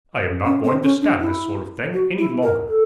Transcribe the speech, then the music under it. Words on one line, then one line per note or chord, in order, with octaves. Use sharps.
'I am not going to stand this sort of thing any longer.
C#4
C4
C#4
D4
E4
F#4
E4
A#4
A4